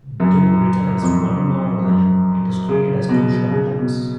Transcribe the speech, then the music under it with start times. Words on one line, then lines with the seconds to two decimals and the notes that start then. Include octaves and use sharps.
Though written as one long line, it is treated as two short ones.
0.20 F#2
1.02 F2
1.85 F#2
2.69 C#3
3.09 B2
3.51 C#3
3.79 B2